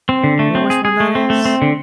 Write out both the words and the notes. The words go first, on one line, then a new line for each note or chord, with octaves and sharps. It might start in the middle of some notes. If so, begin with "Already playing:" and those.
You know which one that is?
C4
D3
A3
C4
G#4
G#4
A3
C4
A3
C4
D3